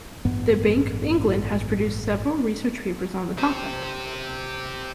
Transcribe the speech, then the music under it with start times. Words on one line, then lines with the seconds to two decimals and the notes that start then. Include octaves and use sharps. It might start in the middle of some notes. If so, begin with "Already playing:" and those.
The Bank of England has produced several research papers on the topic.
0.25 A1 G2 B3
3.39 G4 C5